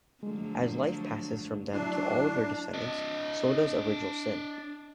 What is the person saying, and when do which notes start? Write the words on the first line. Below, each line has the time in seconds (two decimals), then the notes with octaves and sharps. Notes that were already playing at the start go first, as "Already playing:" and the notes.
As life passes from them to all of their descendants, so does original sin.
0.23 D3 F3 F#3 G#3 A3
1.73 F#3 D4 E4 D5 C7
2.74 D4 D#5